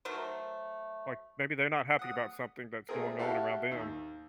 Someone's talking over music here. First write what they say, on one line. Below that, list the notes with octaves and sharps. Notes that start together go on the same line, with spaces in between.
Like, maybe they're not happy about something that's going on around them.
F#3 A3 A#4 C5
F#5 D#6
A3 C4 G#4 A#4
E4 F#4 G4 A4 F5
D#2